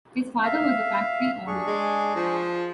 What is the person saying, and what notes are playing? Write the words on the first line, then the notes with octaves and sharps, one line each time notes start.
His father was a factory owner.
E5 F5
D4 G#4 C#6
G#3
F3